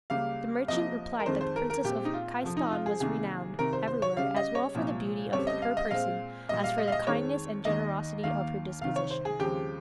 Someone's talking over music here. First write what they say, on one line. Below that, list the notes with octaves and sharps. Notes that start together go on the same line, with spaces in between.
The merchant replied that the princess of Khaistan was renowned everywhere as well for the beauty of her person as for the kindness and generosity of her disposition.
C#2 C#3 G3 A#3 F5
C2 C3 F3 A#3 D#5
A#4
F2 D#3 G#3 C4 C5
C5
A#4
A#4
A#2 G#3 C4 G4
D#4
F4
F2 C3 F3
D#4
F4
G#4
C2 C3 D#3 A#3 G#4
C2 C3 D#3 A#4
C5
C5
C#5
C#2 C#3 G3 F5
D#5
C#5
C2 A#2 F3 A#3
F2 C#3 G3 C4 C#5
D#5
F5
D#5
A#2 G#3 C4 F5
A#2 G3 A#3 D#5
F5
D#5
F5
D#5
F2 D#3 G#3 C4 C#5
D#2 D#3 A#3 D#5
D#2 D#3 A#3 F5
C2 C3 D#3 F5
C#5
C5
G#4
D#2 C#3 F3 G#3 C4 G4